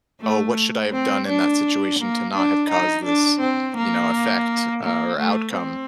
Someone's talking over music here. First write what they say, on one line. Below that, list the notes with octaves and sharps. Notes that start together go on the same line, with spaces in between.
"Oh, what should I have done in that situation to not have caused this, you know, effect, uh, or outcome?"
A3
C4
D4
A#3
D4
D#4
D4
C4
A#3
A#3
A3
C4